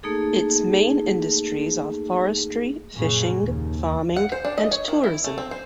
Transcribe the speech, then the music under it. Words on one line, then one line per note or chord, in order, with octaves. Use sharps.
Its main industries are forestry, fishing, farming, and tourism.
A3 A#3 D#4 G#4 A4
F#2 A#2 C#3
D#2
F#5
C5
D4
D#5
C#5
D#3
E4
A3
C4
C5